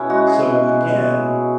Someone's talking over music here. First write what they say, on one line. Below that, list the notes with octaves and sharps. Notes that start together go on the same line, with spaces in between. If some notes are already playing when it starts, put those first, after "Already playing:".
So, again,
Already playing: B2 B3 C#4 E4 G#4 B4
G#3 F#4
G#4
B2
B2